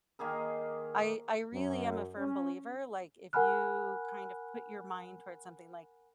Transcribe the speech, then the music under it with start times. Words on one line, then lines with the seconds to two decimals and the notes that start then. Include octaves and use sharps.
I I really am a firm believer, like, if you kind of put your mind towards something, like,
0.19 D#3 A#3 G#4 A#4
1.53 F#2
2.19 C#4
3.33 A#4 F#5 G#5 B5 F6 F#6